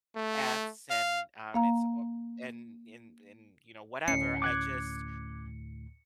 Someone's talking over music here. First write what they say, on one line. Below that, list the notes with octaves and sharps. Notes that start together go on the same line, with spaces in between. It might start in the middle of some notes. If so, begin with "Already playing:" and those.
Fs and, um, it's ob and in in you know, whatever, I just
A3
F5
A#3 F5 A#5
D2 A2 C#4 C7 C#7
D6 F#6 G#6